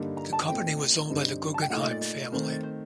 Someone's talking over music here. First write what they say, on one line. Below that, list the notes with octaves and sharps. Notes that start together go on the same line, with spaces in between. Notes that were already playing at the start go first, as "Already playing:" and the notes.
The company was owned by the Guggenheim family.
Already playing: G2 D3 G3 A#3 D#4
A#5
A5
A#2 A3 C4 D#4 G5
G2 D3 G3 C4 D#4
A5
G5
A#2 A3 D#4 F#5
D#5
D5
D5
D#3 A3 C4
D5
C5